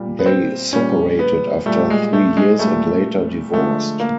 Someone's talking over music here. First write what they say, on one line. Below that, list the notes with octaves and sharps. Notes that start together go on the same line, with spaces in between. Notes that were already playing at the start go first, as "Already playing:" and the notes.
They separated after three years and later divorced.
Already playing: A#2 G3
B3
C4
A#2 G3 C#4
B3
A#2 G3 A3
G#3
A3
G#3
A#2 G3 A3
D3 F3 G#3 A3
A#3